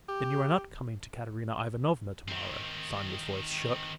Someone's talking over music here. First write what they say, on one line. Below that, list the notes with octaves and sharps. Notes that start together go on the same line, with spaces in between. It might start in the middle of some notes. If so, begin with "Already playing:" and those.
"Then you are not coming to Katerina Ivanovna to-morrow?" Sonia's voice shook.
G4
D#3 C4